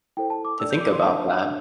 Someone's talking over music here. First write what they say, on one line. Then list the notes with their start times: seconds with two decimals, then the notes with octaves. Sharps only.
to think about that.
0.17 E4 A4 C5 G5
0.30 A5
0.45 D6
0.60 D4 A4 D5 E6
0.71 G6
0.80 D6
0.92 C6
1.02 D4 C5 A5
1.45 D4